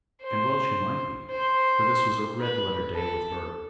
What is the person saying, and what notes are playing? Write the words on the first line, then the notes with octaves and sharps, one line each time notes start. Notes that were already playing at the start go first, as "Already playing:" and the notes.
And well she might be, for this was a red-letter day with her.
C5
C5
B4
A4